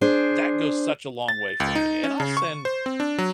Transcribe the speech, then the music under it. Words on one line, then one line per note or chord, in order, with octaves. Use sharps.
that goes such a long way for me, and I'll send
D4 G#4 C5
A6
C#2
D#4
C#4
C#3
C#6
C5
C4
D4
F#3